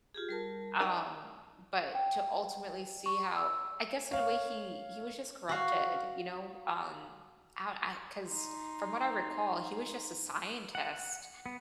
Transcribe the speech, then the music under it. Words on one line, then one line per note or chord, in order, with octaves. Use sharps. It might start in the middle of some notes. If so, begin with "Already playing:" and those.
um, but to ultimately see how I guess in a way he he was just corrupted, you know? Um, I I 'cause from what I recall, he was just a scientist,
F4 G4 G#4
G3 A#4 A5
D#4 G4 D5 D#5
G5
C#6
E6
C#5 F5
F#4 F5
D#4 C6
F#5
B3